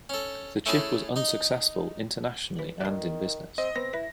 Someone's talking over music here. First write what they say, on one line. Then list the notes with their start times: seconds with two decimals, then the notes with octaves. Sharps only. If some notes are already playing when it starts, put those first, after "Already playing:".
The chip was unsuccessful internationally and in business.
0.09 C#4 A4
0.66 A3 C#4 E4 G#4 A4
1.16 D#4 D#5
2.59 E3
2.81 D#3 D5 C6
3.58 C4 D#5
3.76 B3 C4 A#6
3.93 E4 B4